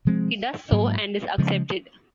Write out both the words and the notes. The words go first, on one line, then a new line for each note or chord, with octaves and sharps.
He does so and is accepted.
C3 F3 G#3 C4
G#2 F#3 A#3
C#3 F3 G#3